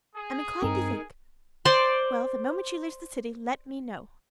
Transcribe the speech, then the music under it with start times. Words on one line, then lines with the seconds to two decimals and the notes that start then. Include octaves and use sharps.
I am inclined to think--well, the moment she leaves the city let me know.
0.15 G#4
0.62 G2 C4 D#4 A#4
1.65 C5 D5 C6